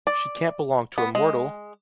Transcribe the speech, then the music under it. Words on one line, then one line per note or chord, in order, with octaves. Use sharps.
She can’t belong to a mortal!
D5
B3
G#3